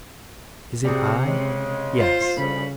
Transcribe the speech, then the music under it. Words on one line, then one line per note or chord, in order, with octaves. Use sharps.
"Is it I? Yes."
C3 G3 F#4 G#4
C#3 G#3
F4 C5
D2 C#3 G3 B5